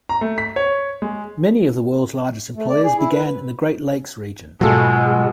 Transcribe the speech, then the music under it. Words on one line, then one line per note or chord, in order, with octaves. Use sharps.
Many of the world's largest employers began in the Great Lakes region.
A#5
A3
B6
C#5
G#3
A3
D5
G#4
E4
B4
G#2 B2 F#3 G#3 F4 A4